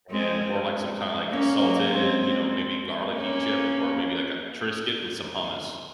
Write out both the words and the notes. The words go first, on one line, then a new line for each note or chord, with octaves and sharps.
and, or, like, some kinda, like, salted, you know, maybe garlicky chip, or maybe, like, a Triscuit with some hummus,
G#3 C4
A#3 C#4
F#3 A#3
G#3 C4
A#3 C#4